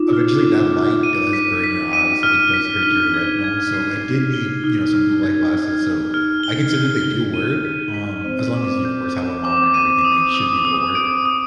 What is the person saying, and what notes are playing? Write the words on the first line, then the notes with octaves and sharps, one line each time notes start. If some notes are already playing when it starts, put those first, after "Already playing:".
eventually, that light does burn your eyes, like, it does hurt your retinol, so I did need, you know, some blue-light glasses, so, I consider they do work, um, as long as you, of course, have them on and everything, they should be able to work-
Already playing: D#4 F4 D6
D#4 F6
D6
D6
D#7
B6
B6
D#7
F6
B6
D4
D#4 G7
G#6
G#6
C7
G#6
G7
D#4 F6
F6
G#6
F6
F6
F6
G7
G7
G7
D#7
B6
B6
C4 C5 D#7
D6
G6
D6
D6
D#7
D#6
D#6
D#6
D7
D#6